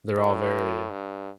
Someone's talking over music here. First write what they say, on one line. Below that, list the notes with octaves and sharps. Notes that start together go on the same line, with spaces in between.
They're all very
A2
G2